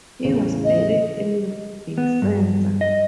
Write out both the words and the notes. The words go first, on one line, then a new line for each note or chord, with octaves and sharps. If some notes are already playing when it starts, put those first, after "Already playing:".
He was buried in Vicenza.
A1 E2 C#3
D#5
B3
G2
D#5